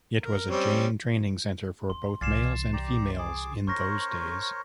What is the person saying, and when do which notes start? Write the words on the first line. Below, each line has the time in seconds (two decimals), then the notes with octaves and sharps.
It was a Jain training centre for both males and females in those days.
0.21 A#4
0.50 G3 C4 C#4
1.90 D#2 D#3 C6
2.21 C2 E3 D5 F5 G#5 A6 C7 E7
2.73 G4 D5 A#5
3.18 G#4 D6
3.67 C#4 A#4 C5 C#5 C#6 A#6